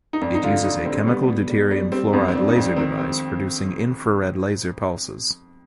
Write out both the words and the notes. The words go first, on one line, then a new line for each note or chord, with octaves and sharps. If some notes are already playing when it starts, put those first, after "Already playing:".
It uses a chemical deuterium fluoride laser device producing infrared laser pulses.
D#4
F2 D4
D#4
D3 F4
D3 D#4
D3 C4
G3 B3
B2
G3
G3
G3 C4
F2 B3
C4
F2 D4
D#4
F2
D4
D#3 C4
C4